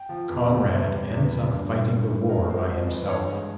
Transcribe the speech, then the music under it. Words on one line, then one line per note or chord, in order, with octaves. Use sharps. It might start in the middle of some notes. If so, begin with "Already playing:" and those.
Conrad ends up fighting the war by himself.
Already playing: G5
F3
E2
C#3
E2 C5
G3
E2
E3
G2
G3
G2
E3
F2 A#4
A#4
G#3 C5
F2 C5
E3
G2 C#5
G#3